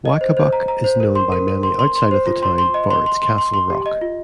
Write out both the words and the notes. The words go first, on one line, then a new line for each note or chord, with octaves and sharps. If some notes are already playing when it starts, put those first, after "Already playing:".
Waccabuc is known by many outside of the town for its Castle Rock.
D#5
C5
C5
A#5
A#5
C5
A#4
C6
A#4
A#4
C6
C6
C6
C5
F4
C6
C6
D#5
C6
C6
C6
C6
C6
G4
D#5
F4